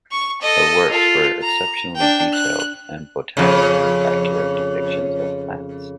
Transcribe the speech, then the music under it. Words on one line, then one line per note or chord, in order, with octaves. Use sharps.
Her works were exceptionally detailed and botanically accurate depictions of plants.
C#6
A4 D#5
F4 A4
A#5
D4 G5
F#6
F2 C#3